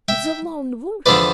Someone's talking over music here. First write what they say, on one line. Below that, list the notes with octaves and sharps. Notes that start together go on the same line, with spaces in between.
"The Lone Wolf!"
E5 G5
E2 D3 F3 B3 D4 B4 D5